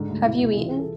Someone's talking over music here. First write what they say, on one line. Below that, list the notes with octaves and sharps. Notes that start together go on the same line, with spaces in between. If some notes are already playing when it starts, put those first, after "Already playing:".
Have you eaten?
Already playing: G#2 D3
D2
B2 E4
C2
G#4
E3 F4
G#4
A4